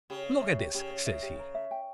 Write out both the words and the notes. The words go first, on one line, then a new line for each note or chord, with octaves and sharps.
Look at this, says he.
C#3 G4
C#5
E5
G4
C#3 G4
C#5
E5
G4
A#4
E5
G5